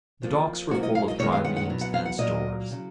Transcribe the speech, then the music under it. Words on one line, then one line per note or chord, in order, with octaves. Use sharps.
The docks were full of triremes and stores.
F2 F3 A#3
G#2 F#3 A#3 C#4 F#4
D#5
F5
D#5
F#2 D#3 G#3 B3 C#5
F5
F#5
F#5
B2 F#3 B3
F#5
F5
F#5
A#2 F#3 A#3 D#5
C#3 F#3